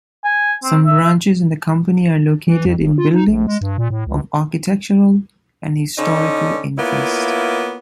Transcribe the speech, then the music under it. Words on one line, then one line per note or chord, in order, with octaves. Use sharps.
Some branches in the company are located in buildings of architectural and historical interest.
G#5
C4
E5
E3
F2
G1
F4
D#4
A#1
G#3
G2
A#2
A2
C#2
D3 C#4 D#4
A#3 B3 E4 F4 C#5